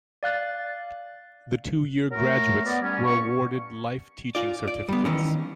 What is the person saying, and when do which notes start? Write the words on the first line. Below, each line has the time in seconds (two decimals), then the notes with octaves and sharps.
The two-year graduates were awarded life teaching certificates.
0.23 D5 F5 F#6 A6
2.10 F#3 A3 A#4
2.65 B3 D5
2.81 G3 C#4
3.04 G2 B3 C#6
4.35 F4 D5
4.68 D5
4.89 G3 B3
5.05 D#3 E3 C#4